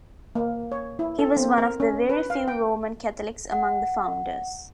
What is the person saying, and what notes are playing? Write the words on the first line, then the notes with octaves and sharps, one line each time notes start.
He was one of the very few Roman Catholics among the Founders.
A#3
C#5
E4
A4
C4
A#4
C#4
B4
F5
G5
F#5